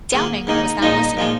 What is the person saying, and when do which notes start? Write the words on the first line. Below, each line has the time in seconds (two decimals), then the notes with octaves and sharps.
Downing was not listening.
0.13 G#2 D#3 A#3 G#4
0.47 G#2 D#3 A#3 D#4 G#4
0.82 A#2 F3 G#3 D#4 F4
1.17 A#2 F3 G#3 F4